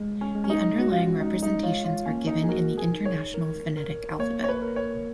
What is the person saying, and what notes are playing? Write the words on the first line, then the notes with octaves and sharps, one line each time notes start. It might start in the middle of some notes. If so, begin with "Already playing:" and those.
The underlying representations are given in the International Phonetic Alphabet.
Already playing: G#3
C#4
G#3
C#4
D#4
C#4 F#4
F4
F#4
G#3 D#4
D#4
F4 C#5
F4
A#3 C#4
D#4
G#4
F#4 A#4
G#4
D#4
C#5
A#4
A#4
A#3 C#5
C#5
B4
A#4
C#5